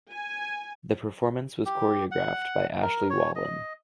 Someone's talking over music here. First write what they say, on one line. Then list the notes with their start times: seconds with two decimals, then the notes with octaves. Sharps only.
The performance was choreographed by Ashley Wallen.
0.12 G#5
1.66 G4
2.11 F#5
2.82 A#4
3.10 C#5
3.35 D#5